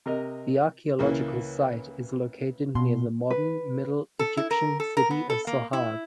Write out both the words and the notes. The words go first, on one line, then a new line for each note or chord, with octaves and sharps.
The archaeological site is located near the modern Middle Egyptian city of Sohag.
C3 A#4 D#5
C#2 E3 A#3
B2 C6
B4
A4
E4
A#4
A4
A#4
B3
A4
A#3
E4